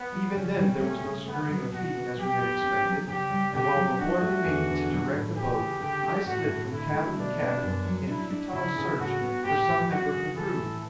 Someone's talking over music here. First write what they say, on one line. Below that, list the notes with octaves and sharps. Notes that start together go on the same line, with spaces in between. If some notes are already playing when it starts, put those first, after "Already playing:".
Even then there was no scurrying of feet as we had expected, and while the boy remained to direct the boat I slid from cabin to cabin in futile search for some member of the crew.
Already playing: B3
G3
C#3 C#4
G3
A3 C#4
C#3
A3 B3
F#3
B2 F#4
B3
F#3 G4
B3
C#4
F#3
C#3 G4
G3
D3 G4
F#3
D4 F#4
A3
E2
D3
F#3
A2
E3 G4
C#3
D3 G4
C#4
A2 F#4
A2
D3 E4
A3
B2 D4
B3
F#2
F#3
D4 E4
D4
C#3 E4
C#3
A2 F#4
B3
A2 G4
E3
F#3 F#4
C#3
E3 A4
A2